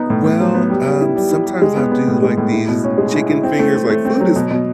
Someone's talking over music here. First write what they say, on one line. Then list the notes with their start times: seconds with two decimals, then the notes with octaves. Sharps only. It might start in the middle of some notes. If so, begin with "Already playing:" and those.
Well, um, sometimes I'll do like these chicken fingers, like, food is
Already playing: B3 D#4
0.10 A2
0.24 A2
0.40 F#3
0.54 B3
0.70 G3
0.85 G3
1.01 E4
1.16 G3
1.31 E4
1.46 G3
1.62 G#3
1.77 B3
1.91 B3
2.08 A2
2.23 G#3
2.37 A2
2.52 E4
2.69 B2
2.84 C#4
2.98 G#3
3.14 E4
3.28 E4
3.43 C4
3.59 A3
3.75 C4
3.90 A3
4.05 C4
4.21 F#3
4.36 B2
4.51 B2